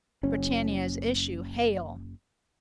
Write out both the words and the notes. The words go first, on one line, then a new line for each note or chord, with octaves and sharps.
Britannia's issue, hail!
F#1 C#4